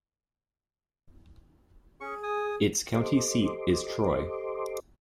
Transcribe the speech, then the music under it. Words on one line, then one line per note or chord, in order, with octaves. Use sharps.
Its county seat is Troy.
C#4 G#4 C#6
G#5 D#6
G4 A4 C5 D#5 C6 D6